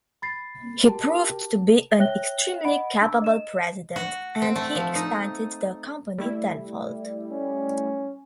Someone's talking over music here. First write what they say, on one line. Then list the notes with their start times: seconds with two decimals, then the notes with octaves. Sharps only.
He proved to be an extremely capable president, and he expanded the company tenfold.
0.22 B5 A6 C7
0.85 F#4 G4 A#4 A5
1.98 C#5 E5 G5 F#6 A#6 G7
2.65 D#5 F#5 B5 D7
3.01 D4 E6
3.22 D#5 E7
3.96 F#4
4.42 C4
4.56 A3
4.75 F3
4.95 D#4
6.18 G3 A3 E4
7.31 C#4